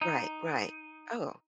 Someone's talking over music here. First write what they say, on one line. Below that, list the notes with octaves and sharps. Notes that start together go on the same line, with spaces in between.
Right, right. Oh,
D#4